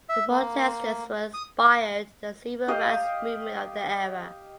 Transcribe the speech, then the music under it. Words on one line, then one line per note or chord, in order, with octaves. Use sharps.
The protesters were inspired the civil rights movement of the era.
E5
A#3
D#6
G4 D#5 F5